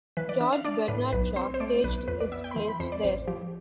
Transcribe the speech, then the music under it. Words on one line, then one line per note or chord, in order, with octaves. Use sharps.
George Bernard Shaw staged his plays there.
E3 B4
D5
D4 E5
F5
D4 D5
A2 B4
B1 B4
C4 C5
C5
A3 D5
B1 B4
F2 B4
D5
B3 E5
G5
B5
E3 C6
B5
F2 C5
D5
A1 C5
F3 G4